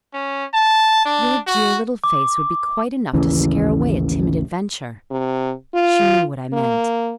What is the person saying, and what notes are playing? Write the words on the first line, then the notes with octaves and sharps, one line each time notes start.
Your dear little face would be quite enough to scare away a timid adventure.' She knew what I meant.
C#4
A5
D4
F#4
D6
A1 D#2 C#3 E3
C3
F4
A#3